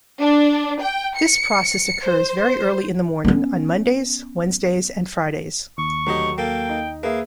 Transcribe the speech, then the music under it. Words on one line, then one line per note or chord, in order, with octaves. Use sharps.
This process occurs very early in the morning on Mondays, Wednesdays and Fridays.
D4
G5
C#7
C5
B3 C#4
D#2 C#6
D2 F#3 G4 D#5
A#3 A4 G5
D#4
A#3 G#4 B4 E5